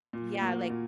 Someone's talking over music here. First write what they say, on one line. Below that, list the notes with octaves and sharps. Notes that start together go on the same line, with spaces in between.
Yeah, like
A#2
A#3 F#4
A#2